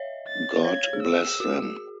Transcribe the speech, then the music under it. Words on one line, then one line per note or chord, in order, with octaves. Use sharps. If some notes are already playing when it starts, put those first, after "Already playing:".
God bless them.
Already playing: C#5 D#5 E5
A6
C#5 G#6
C#5
G#4
E6
F#4